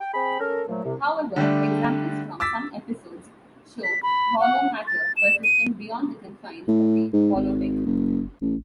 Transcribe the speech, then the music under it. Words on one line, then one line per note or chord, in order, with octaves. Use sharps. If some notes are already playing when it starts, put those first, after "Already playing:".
However, examples from some episodes show holomatter persisting beyond the confines of the holodeck.
G5
C4 G#4 G5 B5
C#4 A4 A#4
A#2 F3 F#3 A3
C2 C3
D3 G3 A3 D4
D6 E6 A6 B6
B6
B5
F#5
A6
E7
D#7
A2
G#2
G#1
F#1
A1